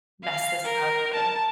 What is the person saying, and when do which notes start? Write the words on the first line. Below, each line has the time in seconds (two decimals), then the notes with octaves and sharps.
mess this up, and
0.24 F5
0.64 A#4
1.14 A5